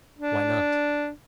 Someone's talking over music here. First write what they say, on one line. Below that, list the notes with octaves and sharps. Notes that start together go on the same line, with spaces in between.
Why not?
D4